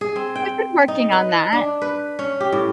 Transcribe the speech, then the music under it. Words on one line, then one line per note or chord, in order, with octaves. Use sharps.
I've been working on that.
G#4
C4
G5
D#4
B4
D4
B4
C#4
G4
A2